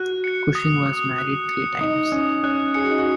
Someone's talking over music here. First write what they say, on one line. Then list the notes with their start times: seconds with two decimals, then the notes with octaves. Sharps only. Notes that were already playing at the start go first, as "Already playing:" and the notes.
Cushing was married three times.
Already playing: F#4 F#6
0.24 C#7
0.55 D#6
0.86 D#6
1.18 F#6
1.49 C#7
1.81 D#4 D#6
2.12 C#4 D#6
2.43 C#4 F#6
2.74 G#4 C#7
2.82 F#4
2.90 D#4
2.98 F#4